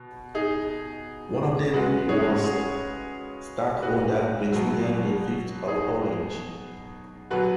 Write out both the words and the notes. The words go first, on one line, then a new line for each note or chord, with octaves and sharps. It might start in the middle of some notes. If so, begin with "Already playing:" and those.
One of them was stadtholder-prince William the Fifth of Orange.
Already playing: B2
D#4 G#4
C#3 G#3 F#4 B4
G#4 C#5
G#4 C#5
F#4 B4
B2 F#3
D#4 G#4
B2 F#3 F#4 B4